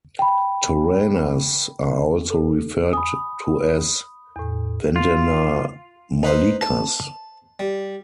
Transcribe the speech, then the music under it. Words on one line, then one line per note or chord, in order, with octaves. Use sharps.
Toranas are also referred to as vandanamalikas.
G5 B5
A4
G#5 B5 D#6
E2 A2
F4
D#4 B4 C5
A5
G3